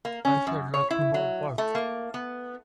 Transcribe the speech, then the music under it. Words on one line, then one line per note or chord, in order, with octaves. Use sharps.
I should like to know what?
A#3
C#4
F#2
C#5
E4
F#3
A3
A#3
B3